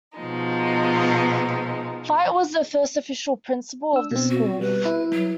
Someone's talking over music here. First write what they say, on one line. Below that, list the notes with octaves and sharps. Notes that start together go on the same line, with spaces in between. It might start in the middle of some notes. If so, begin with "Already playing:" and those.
Fite was the first official principal of the school.
B2 F3 G#3 D#4
D4 E6
B2 C4
F#4
G3 B4
E4
F#3